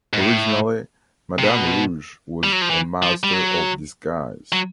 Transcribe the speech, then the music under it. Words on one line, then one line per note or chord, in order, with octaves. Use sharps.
Originally, Madame Rouge was a master of disguise.
G#2
A2
C3
B2
G3
F#3
F3
E3
F3
G3
F#3
F#3